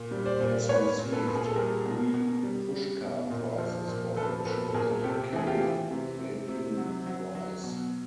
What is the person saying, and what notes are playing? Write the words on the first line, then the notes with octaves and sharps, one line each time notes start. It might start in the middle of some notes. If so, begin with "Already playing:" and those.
He has received three Pushcart Prizes for fiction and a Kenyon Review Prize.
Already playing: A#2
G3
C5 D5
A#2
A#2 B4 C#5
A#2
A4 B4
A#2
G#4
A4
G3 G#4 A#4
B2
B2
G3
G3
B2
A#2
F3
A#2
F3 A4 B4
A#2 A4 B4
A4
A#2 G#4 A#4
C3 G4 A4
E3 G#4
F4 G4
E3
C3
C3
C3
F#3
F#3
F#3
B2